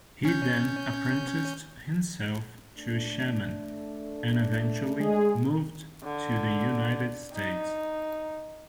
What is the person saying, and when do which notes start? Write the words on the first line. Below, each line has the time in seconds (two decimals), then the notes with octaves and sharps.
He then apprenticed himself to a shaman, and eventually moved to the United States.
0.25 C#4 G6
2.76 A3 D4
5.00 G#3 G#4
6.03 D3
7.33 D#4